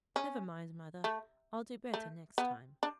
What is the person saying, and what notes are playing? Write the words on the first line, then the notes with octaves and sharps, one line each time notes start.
'Never mind, Mother; I'll do better next time.'
C#4
A3
A3
B3
D4